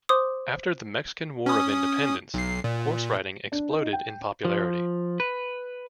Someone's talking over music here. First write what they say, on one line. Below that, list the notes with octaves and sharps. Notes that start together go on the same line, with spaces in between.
After the Mexican War of Independence, horse riding exploded in popularity.
C5 C6 D6 D#6
C#4 D#6
B1 C7
A#2
D4
D#4
G5
F3
B4